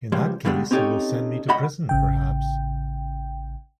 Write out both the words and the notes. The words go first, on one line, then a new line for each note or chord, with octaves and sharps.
In that case you will send me to the prison, perhaps?
C#2 F3 G3 G#3 C5
G2 B2 D3 G3 G#3
C4 C#4 D#4 G4 A4 C#5
C#2 F#4 D#5 F#5 B5
A1 C#3 G5